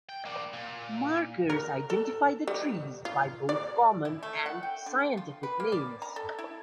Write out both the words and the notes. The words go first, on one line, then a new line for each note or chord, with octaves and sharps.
Markers identify the trees by both common and scientific names.
G5
A#3 D4
A#2
A#4
A4
G3
F4
D5
E4
A3
F#5
G5
D3
F4
B4
A#3
D5
A#5
A4
E4